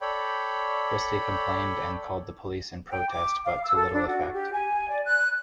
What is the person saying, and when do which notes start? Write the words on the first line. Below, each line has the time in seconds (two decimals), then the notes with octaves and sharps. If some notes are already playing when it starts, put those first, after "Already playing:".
Christie complained and called the police in protest but to little effect.
0.01 A4 C#5 D5 G5 B5
2.91 G5
3.09 D6
3.45 F5
3.63 E6
3.76 A4
3.93 D4
4.07 F#4
4.33 G4
4.53 G#5
4.89 D5
5.04 F#6